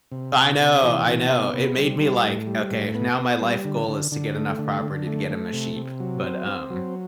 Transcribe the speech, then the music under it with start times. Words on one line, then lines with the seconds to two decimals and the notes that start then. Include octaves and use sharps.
I know, I know. It made me, like, "Okay. Now my life goal is to get enough property to get him a sheep." But, um
0.12 C3
0.36 C3
0.60 C3
0.83 E3
1.06 C3
1.30 B3
1.53 C3
1.77 G3
2.00 G3
2.24 A2
2.47 G3
2.71 A2
2.95 B3
3.18 B3
3.41 G3
3.65 D3
3.88 D3
4.12 D3
4.35 A3
4.59 D3
4.82 D3
5.07 A3
5.30 A3
5.53 C3
5.76 C3
6.00 F#3
6.23 C4
6.47 C4
6.70 F#3